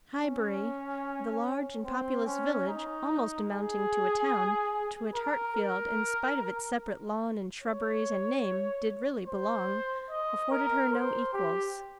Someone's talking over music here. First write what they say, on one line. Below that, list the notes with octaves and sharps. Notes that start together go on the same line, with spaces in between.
Highbury, the large and populous village, almost amounting to a town, to which Hartfield, in spite of its separate lawn, and shrubberies, and name, did really belong, afforded her no equals.
C#4
C4
C#4
D#4
G#4
A#4
A#4
C#5
C5
D#5
A#4
C5
G4